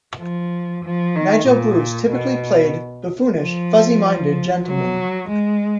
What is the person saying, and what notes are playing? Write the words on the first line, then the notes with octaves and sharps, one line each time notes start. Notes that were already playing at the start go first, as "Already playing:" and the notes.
Nigel Bruce typically played buffoonish, fuzzy-minded gentlemen.
F3
F3
D#3
A#2
B2
F3
F#3
G#3